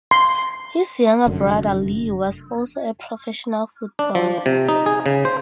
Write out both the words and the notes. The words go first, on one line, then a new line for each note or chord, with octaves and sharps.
His younger brother, Leo, was also a professional footballer.
C6
F1 F#2 D3
D4
F3
C3
D#4
G#4
C#3
C5